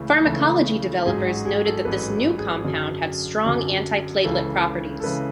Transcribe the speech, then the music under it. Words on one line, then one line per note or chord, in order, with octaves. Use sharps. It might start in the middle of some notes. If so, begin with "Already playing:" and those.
Pharmacology developers noted that this new compound had strong anti-platelet properties.
Already playing: C#2 C#3 E3 A3 A4
C#2 C#3 E3 A3
A1 G#2 F#3 G#4
F#4
G#4
A4
A1 G#2 F#3 B4
G#4
F#2 D3 F#3
F#2 D3 F#3
C#2 C#3 E3 A4
A4
C#2 C#3 E3 B4